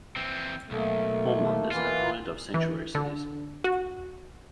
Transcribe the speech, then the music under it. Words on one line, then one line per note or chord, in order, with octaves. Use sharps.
Holmlund is an opponent of Sanctuary cities.
E3 C4
B1 A3 A#3
B2 E3 A#3 F4
E3
D3
F#4